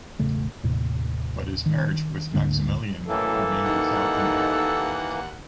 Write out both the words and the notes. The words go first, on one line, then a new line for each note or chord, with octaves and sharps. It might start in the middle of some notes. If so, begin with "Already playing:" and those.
But his marriage with Maximilien remained without an heir.
E1 A1 C#3 A3
D#2 A2 C3
D#3
D2 G#2 D3 A#3
F#2 A2 E3 A#3 A4
D#2 D#4 F#5